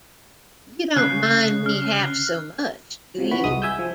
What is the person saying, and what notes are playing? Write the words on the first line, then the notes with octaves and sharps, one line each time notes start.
You don't mind me half so much, do you?
C#3 F#6 C7
F6
C3 F3 F#3
E3 F#4 B5
C2 G#3 E4 F#4 D#6
E5 G#5 E6 G6
F3